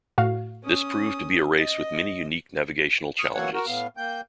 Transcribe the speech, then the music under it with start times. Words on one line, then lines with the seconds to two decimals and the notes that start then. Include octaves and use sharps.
This proved to be a race with many unique navigational challenges.
0.18 A2 F#4 F5
0.63 C#4 D#6
1.58 D#5 A6
3.19 C#6 D#6 F6
3.34 E3 F#3 A#3 C#5 F#5
3.54 F#4 A#4
3.67 A2 B3 F5
3.97 A#3 G5 G6